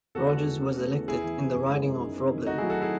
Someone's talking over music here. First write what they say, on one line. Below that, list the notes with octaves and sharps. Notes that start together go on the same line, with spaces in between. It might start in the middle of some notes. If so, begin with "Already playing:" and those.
Rogers was elected in the riding of Roblin.
E2 F#4 A4
G#3
E2
C#4
A3
E2
E2 E4 G#4
E3
E2
F#2
G#3
F#2
D#4
C4
D#3
A3 D#4 F#4
F#3 E4 G#4
F#4 A4
E4 G#4